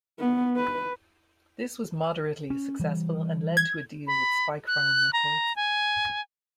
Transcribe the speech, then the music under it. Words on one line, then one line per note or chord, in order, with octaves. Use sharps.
This was moderately successful and led to a deal with Spikefarm Records.
B3
B4
C#4
E3 G3
G#6
B5
F#6
A#5
G#5